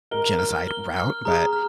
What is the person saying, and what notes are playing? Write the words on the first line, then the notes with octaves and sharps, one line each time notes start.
genocide route, but
A#4 G7
F6
G7
F6
G#4 A#5
F6